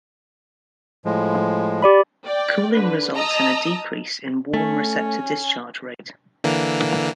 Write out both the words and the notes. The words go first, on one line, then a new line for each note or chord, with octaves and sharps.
Cooling results in a decrease in warm receptor discharge rate.
A2 F3 G#3
G4 D5 B5
D5 G5
D3 B4
D#5 A5 A#5 D#6 E6
A3 C#4
D3 E3 A#3